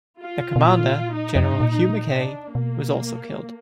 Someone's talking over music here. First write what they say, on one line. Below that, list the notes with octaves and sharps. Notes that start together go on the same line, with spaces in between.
Their commander, general Hugh Mackay, was also killed.
F4
B2
A#2 F4
D#4
F2
F#2
G#2
A#2
D4
B2 A#3